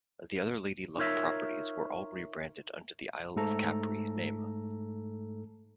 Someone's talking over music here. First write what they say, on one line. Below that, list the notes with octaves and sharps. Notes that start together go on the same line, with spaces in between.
The other Lady Luck properties were all rebranded under the Isle of Capri name.
D#4 F4 A#4 C#5 E5
G#2 A3 A4 A#5